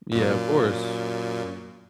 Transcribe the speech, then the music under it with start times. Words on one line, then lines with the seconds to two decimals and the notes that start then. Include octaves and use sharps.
Yeah, of course.
0.12 F#2 A#2